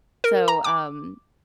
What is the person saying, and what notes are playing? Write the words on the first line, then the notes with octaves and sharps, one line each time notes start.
So, um
A#4
A#5
D6